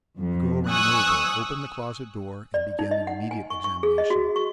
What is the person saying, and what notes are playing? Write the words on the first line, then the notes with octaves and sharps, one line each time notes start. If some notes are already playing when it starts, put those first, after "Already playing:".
The girl ran over, opened the closet door, and began an immediate examination.
F2
G#5 C#6 D#6 E6 F#6
D5
D#4
D#5
F#5
G#5
C#6
C#6
G#4
D#5
F#4
C#6